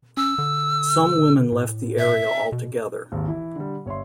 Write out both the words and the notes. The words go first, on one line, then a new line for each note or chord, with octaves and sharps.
Some women left the area altogether.
C#4 E6
D3
A2
E5
B2
G#1 D#2
E3 E4
D3 G3
G1 C#5 E5 C6